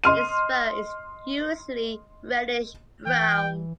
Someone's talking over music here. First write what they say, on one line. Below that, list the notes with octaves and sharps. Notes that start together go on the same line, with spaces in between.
Its fur is usually reddish brown.
D#5 C6 F6 D#7
E3 G5